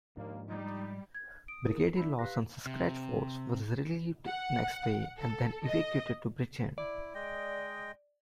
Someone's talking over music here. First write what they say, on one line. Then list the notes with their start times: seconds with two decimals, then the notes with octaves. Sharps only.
Brigadier Lawson's scratch force was relieved next day and then evacuated to Britain.
0.17 D#2 G#2 F3 A#3 D4
0.48 G3 D#4
1.15 G#6
1.48 D#6 D7
1.65 E4 G#4 A#4
1.97 D4 E4 B5 E6
2.19 G4 B4 F5 F#6 A#6
2.66 C3
4.27 F#5
5.19 A4
5.67 D#5
6.78 E4 D5
7.14 G#3 D#5 G5